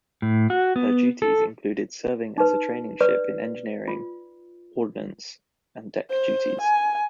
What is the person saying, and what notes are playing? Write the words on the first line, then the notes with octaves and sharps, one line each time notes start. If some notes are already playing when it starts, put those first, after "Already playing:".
Her duties included serving as a training ship in engineering, ordnance, and deck duties.
A2
F#4
B3
A4
D#4 B4
B4 D5
F4
C5
G#5